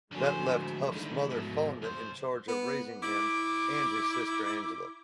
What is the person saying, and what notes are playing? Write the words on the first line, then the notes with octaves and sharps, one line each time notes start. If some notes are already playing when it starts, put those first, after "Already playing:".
That left Huff's mother Fonda in charge of raising him and his sister Angela.
D3 F3 F#3 G#3 A3 C#4 C5
E4
D3 D#3
G#2 B2
C#2 C5
B3
E4 D6